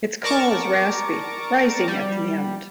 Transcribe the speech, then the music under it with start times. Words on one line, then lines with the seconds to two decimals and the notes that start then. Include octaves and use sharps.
Its call is raspy, rising at the end.
0.24 A#4 D5 A5 C#6 D6 A#6
1.88 G3